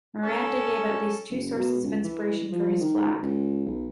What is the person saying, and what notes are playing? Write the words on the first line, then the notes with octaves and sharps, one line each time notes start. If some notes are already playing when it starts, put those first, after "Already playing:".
Miranda gave at least two sources of inspiration for his flag.
C#4 A4
F#1
B2
C#2
E3
F3
D#3
C#2
B1